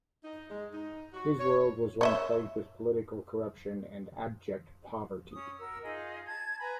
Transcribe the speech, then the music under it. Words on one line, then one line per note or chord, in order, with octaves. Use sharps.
His world was one plagued with political corruption and abject poverty.
D#4
G#3
D#4
F#4
C#5
C#5 D#5 E5
C#4 D#6
F#4 A#4 E6
D#4 F4 G#4 D#5
A5 G#6
B4 G#5 A#5 B5